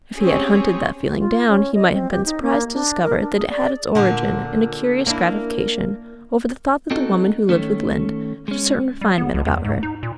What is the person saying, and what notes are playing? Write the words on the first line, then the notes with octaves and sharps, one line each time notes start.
If he had hunted that feeling down he might have been surprised to discover that it had its origin in a curious gratification over the thought that the woman who lived with Lynde had a certain refinement about her.
C4 C#4 G4 G#4 C#5
F4
C#4
D#5
C4
G4
D#4
A#3
D4
A#4
D4
G#4
D5
A#2 D3
A#3 D4 E4
C4 D4 D#4 F#4 A4
D#3 A3 C#4
G#3 C#4
G3
B3
C#2
E2
G#2
D#4
A#2